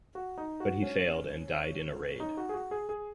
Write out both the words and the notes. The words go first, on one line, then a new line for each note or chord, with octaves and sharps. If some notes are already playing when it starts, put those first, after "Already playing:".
But he failed and died in a raid.
F#4
D#4
F#4
C#4
D#4
F#4
G#4
F#4
G#4
G#4